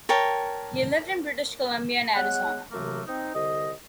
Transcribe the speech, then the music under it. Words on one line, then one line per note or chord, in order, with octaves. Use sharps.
He lived in British Columbia and Arizona.
A#4 C#5 G5 A5
G#3 B3 C#5 F#5
F#2 C3 E3 F#3 A3 A#3
C4 D#4
C2 D3 C5 D#5